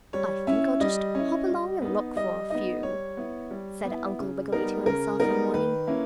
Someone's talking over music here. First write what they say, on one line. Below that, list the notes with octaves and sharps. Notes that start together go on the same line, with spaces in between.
"I think I'll just hop along and look for a few," said Uncle Wiggily to himself one morning.
G3 C#5
C#4 E4 E5
G3 D#5
C#4 E4
G3
B3 D#4
G3 D#5
B3 D#4 D#5
G3 C#5
B3 E4
G3
B3
E4
C#3
G3 B3 D#4 A#4
C#3 A#4
G3 B3 D#4 A#4
D#3 B4
A#3 C#4 E4